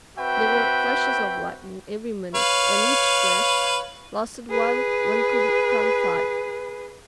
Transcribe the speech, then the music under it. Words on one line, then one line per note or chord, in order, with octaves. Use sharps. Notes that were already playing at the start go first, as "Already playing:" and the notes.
There were flashes of lightning every minute and each flash lasted while one could count five.
C4 F#4 B4 E5 G5
B4 C#5 F5
G#4 B4